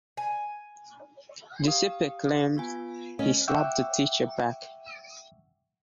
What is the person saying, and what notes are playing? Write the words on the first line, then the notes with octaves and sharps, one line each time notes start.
Duceppe claimed he slapped the teacher back.
G#5
G4 F5 D#6
B3 F4 G#5
C#4 D#5
E5 F#5 G5 C#6 D6 E6